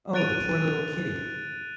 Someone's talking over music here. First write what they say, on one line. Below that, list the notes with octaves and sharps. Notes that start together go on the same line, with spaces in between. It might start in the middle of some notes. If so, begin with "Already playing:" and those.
Oh, the poor little kitty!
F#6 A6 D7 D#7 F7